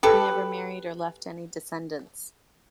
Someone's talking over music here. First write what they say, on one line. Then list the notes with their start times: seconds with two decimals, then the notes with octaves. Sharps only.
He never married or left any descendants.
0.03 G4 A4 B4